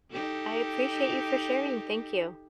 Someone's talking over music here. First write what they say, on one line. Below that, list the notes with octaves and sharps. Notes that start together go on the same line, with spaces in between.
I appreciate you for sharing, thank you.
D#4 G4 A4